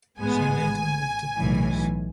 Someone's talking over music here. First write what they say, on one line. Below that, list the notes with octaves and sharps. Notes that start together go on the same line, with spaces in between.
She later moved to Paris.
A1 G#2 G#3 B3 G#5
B1 A2 E3